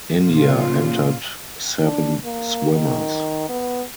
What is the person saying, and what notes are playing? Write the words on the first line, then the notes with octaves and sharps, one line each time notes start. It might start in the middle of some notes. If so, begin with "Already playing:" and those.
India entered seven swimmers.
A#2 C#3 F4
D4
A#3
D#3
B3